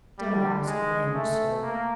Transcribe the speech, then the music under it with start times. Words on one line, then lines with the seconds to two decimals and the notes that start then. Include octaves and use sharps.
Dare I ask your name, monsieur?'
0.19 G3
0.67 G#3
1.14 A3
1.62 A#3